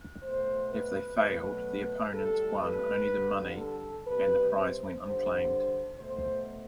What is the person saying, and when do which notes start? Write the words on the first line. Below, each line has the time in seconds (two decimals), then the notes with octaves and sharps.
If they failed, the opponents won only the money and the prize went unclaimed.
0.22 B2 A3 C5
0.70 B4
1.18 B2 F#3 A3 B4
2.14 A2 G3 A4
2.62 B4
3.10 D3 G3
3.58 A4
4.06 C3 G3 B4
4.54 C5
5.02 D3 G3 C5
5.98 B2 A3 C5